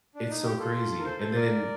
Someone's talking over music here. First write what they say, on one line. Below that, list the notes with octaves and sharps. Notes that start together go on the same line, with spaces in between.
It's so crazy, and then
D4
D#4
G4
F4 A4
A#4
A4 C5
A4 C5
A#4 D5